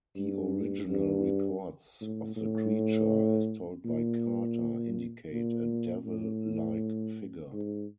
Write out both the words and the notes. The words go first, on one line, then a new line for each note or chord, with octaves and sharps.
The original reports of the creature, as told by Carter, indicate a devil-like figure.
G2
G2
A2
A2
A#2
A#2
A2
G#2